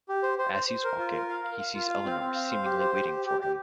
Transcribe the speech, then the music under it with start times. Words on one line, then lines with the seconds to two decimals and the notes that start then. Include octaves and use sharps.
As he's walking, he sees Eleanor seemingly waiting for him.
0.09 G4
0.23 C5
0.38 C5
0.53 C5
0.68 C5
0.84 A#4
0.98 F4
1.14 A#4
1.29 F5
1.44 F5
1.59 F5
1.74 F4
1.90 F5
2.04 C4
2.20 C4
2.35 F5
2.51 C5
2.65 G4
2.80 C5
2.95 G4
3.10 G4
3.26 G4
3.41 G4